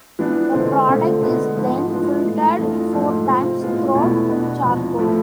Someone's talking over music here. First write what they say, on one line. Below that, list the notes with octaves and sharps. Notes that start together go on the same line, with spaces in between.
The product is then filtered four times through charcoal.
E3 B3 D4
D3 G#3 C4
D3 A3 C4 F4
D3 G#3 B3
G#2 F3 B3
E3 G#3 D4 F4
A2 E3 A3
F2 E3 A3 D4 F4
G#2 F3 A3
C3 G#3 C4 F4
A2 G#3 B3 F4
E2 B2 A3 E4
B2 B3 D4
E2 C3 F3
A2 F3 A3 E4